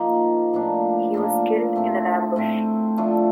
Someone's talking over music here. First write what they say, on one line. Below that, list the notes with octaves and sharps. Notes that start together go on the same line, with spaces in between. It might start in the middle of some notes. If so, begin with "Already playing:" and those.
He was killed in an ambush.
Already playing: F3 A#3 D#4
A2 F3 A#3 D4
A2 F3 A#3 D4
A2 A3 C4
A2 A3 C4
F3 A3 D4